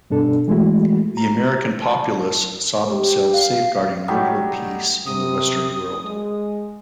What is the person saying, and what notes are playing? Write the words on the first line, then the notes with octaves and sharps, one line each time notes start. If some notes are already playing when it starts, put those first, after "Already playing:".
The American populace saw themselves safeguarding liberal peace in the Western World.
G2 B2 D4 A4
E3 G#3 A3 E4 F#4
A#5
A5
G4
F5
F#3 G3 A3 D#4
C3 D#6
G#3